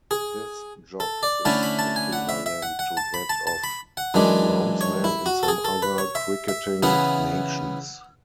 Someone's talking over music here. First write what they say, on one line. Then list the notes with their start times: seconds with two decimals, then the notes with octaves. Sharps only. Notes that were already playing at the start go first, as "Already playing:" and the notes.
This job is equivalent to that of groundsman in some other cricketing nations.
0.11 G#4
1.00 A4
1.23 D5
1.45 D3 A3 C#4 E4 A5
1.63 B5
1.79 A5
1.96 G#5
2.13 F#5
2.29 E5
2.46 E5
2.63 F#5
2.79 F#5
2.97 A5
3.14 B5
3.30 A5
3.47 A5
3.64 B5
3.97 F#5
4.14 F#2 E3 G#3 D4
4.81 C#5
5.04 E4
5.26 F#4
5.43 A4
5.48 G#4
5.65 A4
5.82 B4
5.98 C#5
6.15 E5
6.48 E5
6.83 C#3 E3 B3 E4 F#5